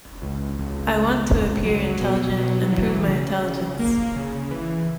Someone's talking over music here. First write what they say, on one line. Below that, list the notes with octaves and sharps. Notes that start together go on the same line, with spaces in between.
I want to appear intelligent and prove my intelligence.
C#2
C#2
C#2
C#2
F#3
B2
F#3
E3
C#3
C#3
A#3
C#3
E3